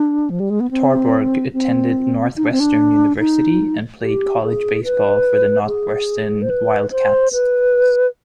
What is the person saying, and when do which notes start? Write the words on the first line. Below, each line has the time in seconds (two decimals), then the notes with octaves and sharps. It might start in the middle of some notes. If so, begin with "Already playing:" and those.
Torborg attended Northwestern University, and played college baseball for the Northwestern Wildcats.
Already playing: D4
0.30 F3
0.40 G3
0.50 G#3
0.60 B3
0.71 C4
1.53 C4
2.36 D#4
2.44 D4
2.52 C4
2.60 D4
3.19 D#4
4.01 G4
4.43 G#4
4.84 B4
5.67 G#4
6.42 C5
6.50 B4
6.91 C5
7.33 B4